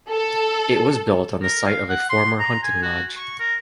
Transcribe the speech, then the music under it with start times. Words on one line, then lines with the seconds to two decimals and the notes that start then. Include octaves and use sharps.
It was built on the site of a former hunting lodge.
0.11 A4
1.43 A#4
1.67 F5
1.89 F#5
2.10 C6
2.39 A#5
2.63 G#5
2.82 F#4
3.17 C#6
3.39 A#4